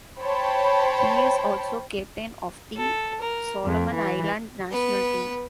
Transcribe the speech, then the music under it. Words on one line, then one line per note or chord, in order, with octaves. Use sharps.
He is also captain of the Solomon Island national team.
C5 C#5 G5 A5 B5
A4
A#4
F2
E3
B3 B4